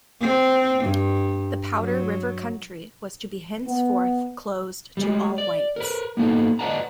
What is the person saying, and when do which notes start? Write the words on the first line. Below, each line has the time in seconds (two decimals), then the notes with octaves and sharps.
The Powder River Country was to be henceforth closed to all whites.
0.21 C4
0.84 G2
1.75 F#3
3.67 B3
4.97 G3 G#3
5.38 D5
5.76 A#4 B4
6.17 A#3 B3 D#4 A4
6.59 B4 D5 D#5 F#5 A5 A#5